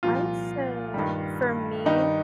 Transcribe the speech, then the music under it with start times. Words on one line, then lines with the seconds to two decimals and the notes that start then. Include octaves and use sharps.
I would say for me,
0.03 C2 A#2 F3 F4
0.94 G2 D#3 G3
1.85 G2 D#3 G3 D#4